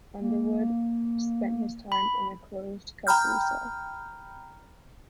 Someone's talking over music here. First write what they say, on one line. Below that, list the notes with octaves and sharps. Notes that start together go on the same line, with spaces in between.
Underwood spent his time in a closed custody cell.
A#3
B5
G5 A#5 B5 F6 G6